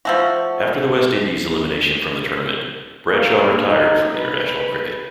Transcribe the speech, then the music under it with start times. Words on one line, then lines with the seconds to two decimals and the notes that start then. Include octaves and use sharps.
After the West Indies' elimination from the tournament, Bradshaw retired from international cricket.
0.05 F3 A3 F#4
3.11 A#3
3.63 D#4
4.14 B4